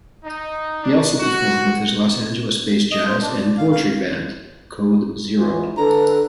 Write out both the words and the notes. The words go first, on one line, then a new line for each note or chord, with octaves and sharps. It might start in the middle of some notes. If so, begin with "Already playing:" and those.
He also performed with his Los Angeles-based jazz and poetry band Code Zero.
D#4
D4
F#4
D#5
C5
D4
D5
F5
F5
G#2 E3 F4
D3 D4 A4 B4 A#5